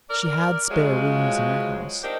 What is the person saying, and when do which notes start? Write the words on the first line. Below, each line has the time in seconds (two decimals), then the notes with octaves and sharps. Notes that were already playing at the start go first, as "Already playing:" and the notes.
She had spare rooms in her house.
0.10 A#4 D5
0.71 C#3 F3 F#3 G#3
2.04 D4 D#4 G4 A#4 C5